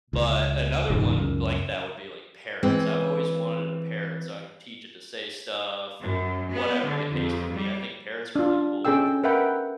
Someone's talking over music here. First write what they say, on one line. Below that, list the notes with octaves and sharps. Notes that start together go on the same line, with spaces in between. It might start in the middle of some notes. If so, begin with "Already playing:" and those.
but another one w like that, would be, like, parrots. I've always wanted a parrot so I can teach it to say stuff, and whatever the case may be, I think parrots are really cool,
C#2
E1 C#2 G#2
C#2 F#2
E3 G#3 C4
F#2
B3
D3
F2
G3
D4 F4
C#4 G#4 A4 G5 E6
A#4 B4 E5 F#5 G5 B5